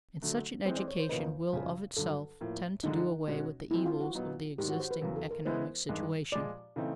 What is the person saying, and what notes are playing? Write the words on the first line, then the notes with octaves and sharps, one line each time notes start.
And such an education will of itself tend to do away with the evils of the existing economic situation.
D3 F#3 A3
E3 G#3 C4 C5
D5
C#5
C5
E2 C#3 F3 A#3 D#4 B4
F#2 C#3 F3 G#3
G2 D3 F#3 A4
A2 F3 A#3
F#2 D3 F3 G#3 D#4
B2 G#3 C#4 F#4
E3 G#3 C4 E4
F4
F#4
A#2 F#3 B3 D#4
G#2 D#3 F#3 G4
F#4
C5
B4
E2 C#3 F#3 A#4
A4
A#4
E3 G#3 B3 E4 C5
G2 D#3 G#3
A#2 F3 G#3 D5
C#3 E3 A3 C4 D#4